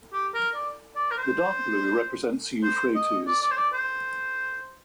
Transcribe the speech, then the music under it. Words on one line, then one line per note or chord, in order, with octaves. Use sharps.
The dark blue represents the Euphrates.
G4
A#4
D5
D5
A#4
C5
C5
D#5
D5
D5
C5
D5
C5